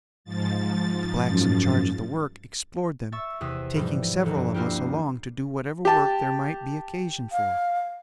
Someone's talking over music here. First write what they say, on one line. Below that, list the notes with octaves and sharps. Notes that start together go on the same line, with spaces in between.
The blacks in charge of the work explored them, taking several of us along to do whatever work there might be occasion for.
G#2 F3 A6
F#2
E5 C#6 E6 A6
E2 C3 D#6 B6 E7
G#2 B2 E3 F3 G3
A1 D2
G2
G3 A#3 B3 E4 F4 G4
G4 A5
F5